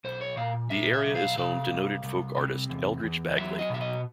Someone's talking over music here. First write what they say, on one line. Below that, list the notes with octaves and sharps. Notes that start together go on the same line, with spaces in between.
The area is home to noted folk artist Eldridge Bagley.
B1 C5
C#5
A#2 F5
A#2 E5
E5
B1
F5
C3 F5
C2
C2
C3
E2
E2
F#3 E5
D#5
B2 E5
D#5